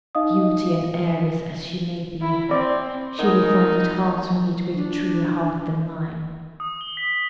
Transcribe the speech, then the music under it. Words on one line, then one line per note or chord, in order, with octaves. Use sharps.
Beauty and heiress as she may be, she will find it hard to meet with a truer heart than mine.
D#4 D#5 F5 D#6
E4
C4 D5
B3 D#4 G#4 A#4
D4
D#6
G7
B6